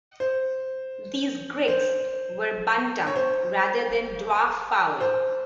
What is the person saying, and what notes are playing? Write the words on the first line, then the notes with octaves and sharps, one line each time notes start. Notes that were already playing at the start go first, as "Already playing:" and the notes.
These Grigs were bantam rather than dwarf fowl.
C5
C5
C#5
C5
C5